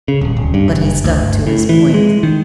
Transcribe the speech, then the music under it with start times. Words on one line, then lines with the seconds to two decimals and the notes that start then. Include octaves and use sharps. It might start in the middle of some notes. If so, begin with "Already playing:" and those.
But he stuck to his point.
0.08 C#3
0.21 D#1
0.37 D1
0.54 G2
0.69 F#1
1.04 D2
1.19 G1
1.47 A2
1.69 E3
1.94 G#3
2.23 D#3